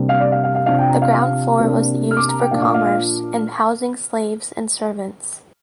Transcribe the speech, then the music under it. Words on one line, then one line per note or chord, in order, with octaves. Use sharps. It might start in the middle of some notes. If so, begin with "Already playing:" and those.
The ground floor was used for commerce and housing slaves and servants.
Already playing: C3 G3 A#3 D4
F5
D5
F5
F5
F5
C3 F3 D4 F5
G5
A#5
F5
F5
C3 A#3 D4
F6
D6
A#5
G5
A#2 F3 A#3 D4 F5
F5
F5
F5